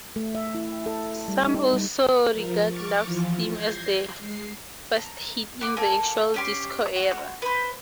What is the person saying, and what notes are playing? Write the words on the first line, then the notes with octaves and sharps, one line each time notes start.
Some also regard "Love's Theme" as the first hit in the actual "disco era".
A3
E5
E4
A4
G3
D#4
G3
F3 A#4
C#6 D6 F6 A6 C#7
E3 F3 F4
G6 G#6 A#6 C7
G#3 C7
A#5
B3 D6
A#3 A4 G#5 E6
C#4 G4 C6
F#4
B4 C5